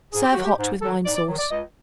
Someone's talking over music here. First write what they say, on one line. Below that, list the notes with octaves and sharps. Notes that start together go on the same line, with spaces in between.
Serve hot with wine sauce.
G#2 G#4
G4
D#3 F#3 F#4
G4
G#2
D#3 F#3 A4
G#2 D5
D5
D#3 F#3
D5
C#2 D#5